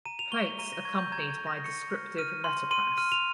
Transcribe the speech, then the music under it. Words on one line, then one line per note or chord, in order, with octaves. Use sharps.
Plates accompanied by descriptive letterpress.
A#5 D#7
F7
C#6 G7
F7
A#5 D#7
A#6
C#6 G#6
G6
A#5 G#6
G#6
A#5
A#6
C#6 C#7
F6
F6 D#7
C6
C6 D#7
F6 D#7
F7